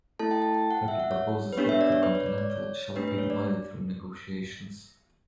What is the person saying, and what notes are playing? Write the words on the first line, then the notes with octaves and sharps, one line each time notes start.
Turkey proposes that the continental shelf be divided through negotiations.
A3 E4 A4 A5
G5
A5
G5
F#5
E5
F#5
C#5
B4
B3 D4 G4 C#5
E5
D5
C#5
B4
C#5
D5
D5
C#5
A3 D4 G4 B4
B4
C#5
D5